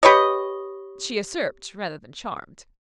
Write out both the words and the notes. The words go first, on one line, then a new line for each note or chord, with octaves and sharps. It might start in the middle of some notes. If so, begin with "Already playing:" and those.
She usurped rather than charmed.
G4 B4 C#5 D#5